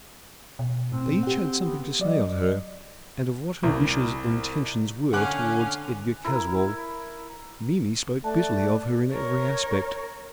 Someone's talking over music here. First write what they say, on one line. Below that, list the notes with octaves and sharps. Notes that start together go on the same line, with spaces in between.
They each had something to say of her, and of what her wishes or intentions were towards Edgar Caswall. Mimi spoke bitterly of her in every aspect.
B2
A2 C4
G4 F#5
B3
F#3 D5 D#5
C2
D3 C#4 F5 F#5 G#5 D6 F#6
E4 A#4
A3 D5 A5 F#6
A#4 C#5